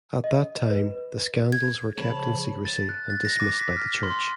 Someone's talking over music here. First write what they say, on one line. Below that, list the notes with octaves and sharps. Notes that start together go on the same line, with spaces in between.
At that time the scandals were kept in secrecy and dismissed by the church.
D#5
B4
G#6
C#3 F3 C#5 A5 B5
A6
F#6
A6
A#6
D6
B6
F6
C6